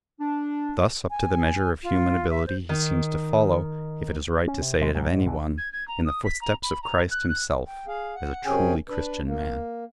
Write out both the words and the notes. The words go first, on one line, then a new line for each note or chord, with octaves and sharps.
Thus, up to the measure of human ability, he seems to follow, if it is right to say it of any one, in the footsteps of Christ Himself, as a truly Christian man.
D4
G#5
F4
E5
C5
D#3
C#4
C3
B2 D3 G#3 B3
G#2 C3 F#3 G#3
A1 G#2
A#1 B2 D3 E3
G#6
G#6
A#5
D#6
B6
A#5
B5
A#5
F#6
F#6
G5
G#4 F5
F#5
F#2 C3 C#4 G#4 G5 G#5
D4 B4
A#3